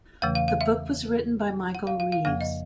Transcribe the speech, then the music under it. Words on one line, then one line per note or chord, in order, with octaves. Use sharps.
The book was written by Michael Reaves.
E2 C#3 E3 A3 F#5
F5
F5
E5
F#5
F5
F5
F5
F2 C#3 F3 A#3 F5
D#5